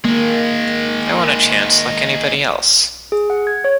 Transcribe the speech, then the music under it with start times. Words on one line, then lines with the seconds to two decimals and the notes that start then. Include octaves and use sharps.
I want a chance like anybody else.
0.05 D#3 G#3 A#3
3.12 G#4
3.30 F#5
3.47 G#6
3.64 C#5